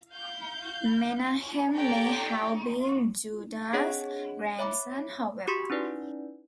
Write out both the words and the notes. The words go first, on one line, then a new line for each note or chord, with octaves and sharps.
Menahem may have been Judas' grandson, however.
F5 G6
G4 A4 C#5 D5 G5 A#5
C4 D4 G#4 C#5 D#5 F#5
C#5 E5 B5 D6
F#4 G4 C6 C#6 D#6 B6
C#4 D#4 E4 B4 D5